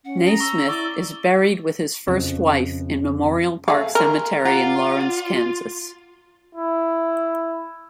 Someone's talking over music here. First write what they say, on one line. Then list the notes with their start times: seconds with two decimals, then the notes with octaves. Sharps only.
Naismith is buried with his first wife in Memorial Park Cemetery in Lawrence, Kansas.
0.05 C#4 F#5
0.26 G#4 A#5
0.40 C#6 E6 G7
0.69 E4 D5 C#6
2.08 F2 C#3
3.68 A3 G#4 F5
3.95 A#4 G#5 A#5 C6
4.45 F4 D5 F#5 A#5
6.55 E4